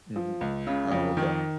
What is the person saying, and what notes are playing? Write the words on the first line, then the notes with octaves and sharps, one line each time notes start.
Mhm. Oh, okay.
F3
C#2
C#3
F2
D#3